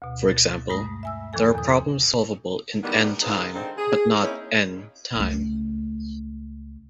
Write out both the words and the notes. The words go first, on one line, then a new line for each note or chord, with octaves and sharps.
For example, there are problems solvable in "n" time but not "n" time.
D2 B2
A6
G2 G#3 A3 D#6 A#6
E5 G#5 E6
E2 A#2 D#3 F3 A4 G#5
E2 D#6
D#3 E3 G3 G#3 B3 D4
C4 D#4 F4 G#4 A4 B4
D3 D#3 G#3 C4
G#4
A#3 C4 C#4 D#4 E4
C#2 A3